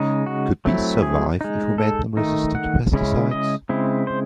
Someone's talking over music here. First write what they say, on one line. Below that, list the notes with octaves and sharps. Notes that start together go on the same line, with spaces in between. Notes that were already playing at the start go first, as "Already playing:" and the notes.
Could bees survive if we made them resistant to pesticides?
Already playing: C#3 G#3 D#4
F#4
F#3 A3 C4 E4
G#4
G#3 D#4
A4
D#3 A3 D#4
F#5
C#3 G#3 C#4 E4
D#5
C#3 G#3 C4 E4
C5